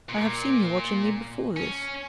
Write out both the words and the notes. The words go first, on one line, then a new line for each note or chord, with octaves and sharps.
'I have seen you watching me before this.'
A#2
C#4